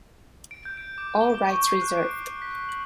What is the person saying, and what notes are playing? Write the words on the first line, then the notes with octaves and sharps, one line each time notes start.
All rights reserved.
D7
G6
D7
D6
G7
D6
C#6
C7
F#6
D7
B6
F#7